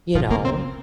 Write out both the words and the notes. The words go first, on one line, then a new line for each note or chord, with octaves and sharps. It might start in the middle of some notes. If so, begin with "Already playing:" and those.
you know?
A#2 F3
C#3 A#3
C4